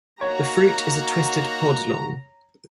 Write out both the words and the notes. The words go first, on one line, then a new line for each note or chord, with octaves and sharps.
The fruit is a twisted pod long.
A#3 D#4 F#4 C#5 A#5